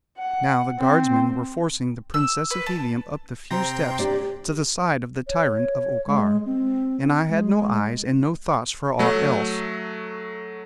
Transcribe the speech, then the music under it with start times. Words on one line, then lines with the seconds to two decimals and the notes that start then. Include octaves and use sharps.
Now the guardsmen were forcing the Princess of Helium up the few steps to the side of the tyrant of Okar, and I had no eyes and no thoughts for aught else.
0.18 F#5
0.80 C4
2.14 E6
2.51 B4
2.66 A5
3.50 C3 C5 G5 A#5 C6 A#6
3.99 D4 G4 D5
5.27 C#5
6.07 G#3
6.46 C4
7.29 G#3
8.99 F#3 A3